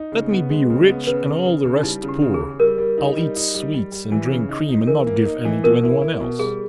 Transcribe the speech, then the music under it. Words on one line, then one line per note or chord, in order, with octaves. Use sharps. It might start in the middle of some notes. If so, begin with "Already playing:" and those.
Let me be rich and all the rest poor, I'll eat sweets and drink cream and not give any to any one else.
Already playing: D#4
C#3
B3
G#3
C#3
B3
C#3 B4
C#3
C#3
C#3
D#4
G3 E4
C#3
G4
C#3
G#4
C#3
G3 A#4
G3
D#4
G3
D#4
G3
G3
G3
E3
C#3
D#4
D#4
E3 A#4
A#3
D#4
E3
B2 A#4
E4
E4
B2
G3 G#4